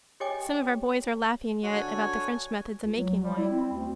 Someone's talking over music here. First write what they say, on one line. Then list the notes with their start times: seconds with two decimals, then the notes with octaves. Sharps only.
Some of our boys are laughing yet about the French methods of making wine.
0.20 G4 C#5 D#5 G5 G#5 D6
1.63 D3 F#4 A4 C#5 G#5
2.83 C#2
2.97 F#3
3.24 G3
3.38 E4
3.51 C4
3.73 D2